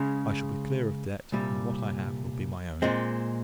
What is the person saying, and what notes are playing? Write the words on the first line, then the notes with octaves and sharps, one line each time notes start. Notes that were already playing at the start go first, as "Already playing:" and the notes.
I shall be clear of debt, and what I have will be my own.
Already playing: C#3 G#3 C#4
C2 A#2 G3
A#2 G#3 C4